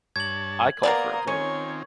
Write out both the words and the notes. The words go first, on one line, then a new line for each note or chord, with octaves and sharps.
I call for a vote.
G2 C#5 A5 G#6 F#7
A#3 B3 A#4 C5 D5 A#5 D#6
D#3 C4 C#4 F4 C#5